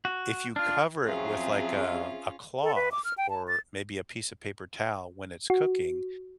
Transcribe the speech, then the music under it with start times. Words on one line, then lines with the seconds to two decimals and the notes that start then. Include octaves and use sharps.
if you cover it with, like, a a cloth or maybe a piece of paper towel when it's cooking,
0.05 F#4
0.56 D4 F4 F6
1.05 F2 F#3 C4 C#4 F4 G#4 E5
2.63 A4
2.75 B4
2.92 D6
3.04 F6
3.18 G5
3.30 A5
3.48 A6
5.50 F#4